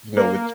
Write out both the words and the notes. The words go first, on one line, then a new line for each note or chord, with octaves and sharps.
you know, with,
A#3